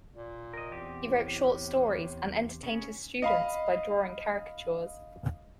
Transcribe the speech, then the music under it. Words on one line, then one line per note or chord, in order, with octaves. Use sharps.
He wrote short stories and entertained his students by drawing caricatures.
A#2
A#4 D#5
E2 C4 G4
A2
C#3 C#4
D#5 F5 B5